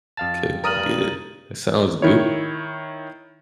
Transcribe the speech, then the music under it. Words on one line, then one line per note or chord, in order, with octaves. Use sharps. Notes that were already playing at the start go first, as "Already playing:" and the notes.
Okay, good. That sounds good,
F2 F5 A5 A6
G2 A#4 D#6 F6 A6 D#7 F#7
D#3 E4 C#5